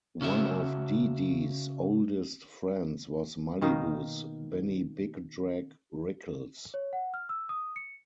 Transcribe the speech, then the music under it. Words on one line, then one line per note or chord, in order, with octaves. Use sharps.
One of Dee Dee's oldest friends was Malibu's Benny "Big Drag" Rickles.
C#3 C#4 F#4 E5
B2 D#3 A#3 D#4
C#5
F#5
F6
E6
D#6
C#7